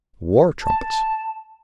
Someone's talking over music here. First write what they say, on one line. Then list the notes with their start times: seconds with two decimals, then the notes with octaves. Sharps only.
War trumpets!
0.63 A5